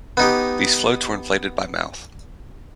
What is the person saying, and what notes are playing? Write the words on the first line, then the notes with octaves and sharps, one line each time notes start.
These floats were inflated by mouth.
B3 D#4 G4